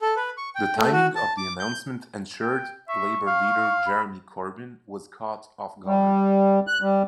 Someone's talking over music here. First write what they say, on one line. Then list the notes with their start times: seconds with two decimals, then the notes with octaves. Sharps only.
The timing of the announcement ensured Labour leader Jeremy Corbyn was caught off guard.
0.01 A4
0.16 B4
0.38 C#6
0.55 G5
0.77 A3
0.92 F#4
1.15 A5
1.37 D6
1.59 G6
2.42 G5
2.88 E5 C#6
3.27 F5
3.86 B5
5.86 G3
6.67 F#6
6.82 G3